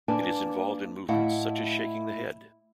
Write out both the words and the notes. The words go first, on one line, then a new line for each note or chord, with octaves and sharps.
It is involved in movements such as shaking the head.
A#3 D4 B4 G#5 A5
A2 A3 E4 D#5 F5 F#5